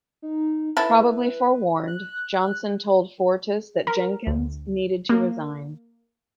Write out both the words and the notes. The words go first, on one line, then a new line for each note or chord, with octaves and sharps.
Probably forewarned, Johnson told Fortas that Jenkins needed to resign.
D#4
E4 A4 B4
F#6
A#4
D2
A#3